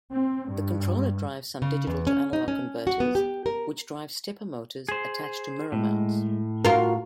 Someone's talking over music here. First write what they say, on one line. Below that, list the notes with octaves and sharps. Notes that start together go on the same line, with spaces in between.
The controller drives some digital-to-analog converters which drive stepper motors attached to mirror mounts.
C4
G2
C#3
E2
C#4
D#4
C#4
F#4
B3
G4
A#4
G#4 C5
A2 G#3
F4 F#4 A#4